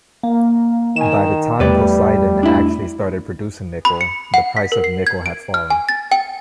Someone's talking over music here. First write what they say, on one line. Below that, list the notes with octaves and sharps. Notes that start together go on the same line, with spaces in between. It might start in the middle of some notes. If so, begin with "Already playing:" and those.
By the time Poseidon actually started producing nickel, the price of nickel had fallen.
A#3
D#3 G#5 E7
E2 G3 A3 B4 D5
D4 E4
B5
C#7
F#5
B6
A#4
C7
G#6
D7
F6
G#5
A6
G5